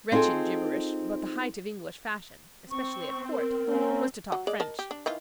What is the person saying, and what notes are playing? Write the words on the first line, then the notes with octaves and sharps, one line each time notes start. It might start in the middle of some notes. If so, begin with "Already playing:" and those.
Wretched gibberish; but the height of English fashion, especially at court, was to talk French.
C4 D#4 F4 G#4 A4
C4 C#6
A#4
A#3 C4 C#4
F#3
G#3 D5
A#4 D#5 A5
G4
D4
D#3 E3 F4